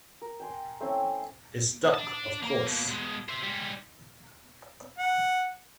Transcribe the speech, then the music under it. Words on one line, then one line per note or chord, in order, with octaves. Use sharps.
It stuck, of course.
A#4
G5 G#5 C6
A3 C4 C#4 E4
D4 A5
A#3
B2 A#3
B2 G#3
C5 E5
G3 G#3
F#5